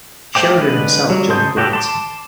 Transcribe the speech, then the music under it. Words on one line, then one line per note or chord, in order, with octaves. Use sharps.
Sheridan himself joined Grant.
A3 C5 G5 D6
D3 G#3 B4
F#3 G3
C#3 A5 C6 D#6 G6
F#4 G4 A4 B4
A5 C6 D6